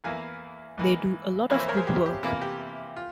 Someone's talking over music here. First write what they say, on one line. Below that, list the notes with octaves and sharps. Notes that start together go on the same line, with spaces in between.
They do a lot of good work.
E2 E3 A#3 E4 F5 G#5
G#2 E3 A#3
F2 E3 A#3 E4 C#5 F5
C5 E5
A#4 C#5
G#4 C5
G4
G4
C3 E3 A#3 E4 F4
G4
F4